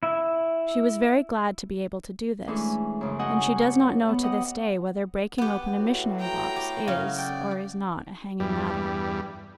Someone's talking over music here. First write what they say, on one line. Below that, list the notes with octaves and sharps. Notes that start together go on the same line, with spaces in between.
She was very glad to be able to do this, and she does not know to this day whether breaking open a missionary-box is or is not a hanging matter.
E4 E5
E3 G#3 A3 C#4 D4
F#2 C#3 F3
C#4 F#4 D#5 F#5 G#5 G6
G2 C#5
B3
G4 D#5 F#5
B3 G4 F#5
A2 F#4
G5 A#5
G4
C#3 F#3 F5
D5 G5
E2 G2 G3